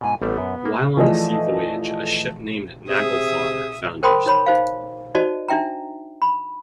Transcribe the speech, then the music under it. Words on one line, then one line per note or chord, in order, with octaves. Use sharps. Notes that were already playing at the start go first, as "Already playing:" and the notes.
While on a sea voyage, a ship named "Naglfar" founders.
G#2 B2 G#5
A1 G3 A3 B3
F#2
A#3
E3 F3 A3 G#4 D5 D#5
C3 G#4 E5 D#6
A#4 C5 G5 B5 C6 D#6
D#4 C#5 B5
D#4 C5 F5
D#4 F#4 C5 D5 D#5 A5
D4 D#4 E5 G5 A#5
B5